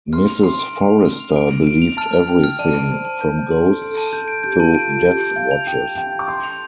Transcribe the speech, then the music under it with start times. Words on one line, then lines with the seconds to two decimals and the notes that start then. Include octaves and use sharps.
Mrs Forrester believed everything, from ghosts to death-watches.
0.13 C6 F6
0.28 F7
0.43 C6 F6
0.59 D7
0.75 D7
0.90 F7
1.05 F6
1.20 F7
1.36 D7
1.51 D7
1.67 D7
1.82 F7
1.97 A5 F6
2.13 F6
2.28 G5 F7
2.44 F6
2.59 D5 A5
2.75 D7
2.89 C5 A5
3.05 A5
3.21 G6
3.36 A5
3.51 A4 C6
3.66 D7
3.82 A4 D7
3.98 A5
4.13 A4 G6
4.28 D7
4.43 G4 G6
4.60 A5
4.74 F4 D7
4.90 F4 D7
5.05 G4 G6
5.21 G6
5.36 F5 G6
5.51 F7
5.67 G5 F7
5.83 G6
5.98 G5 G6
6.13 G6
6.19 D6
6.28 C6 G6
6.43 F7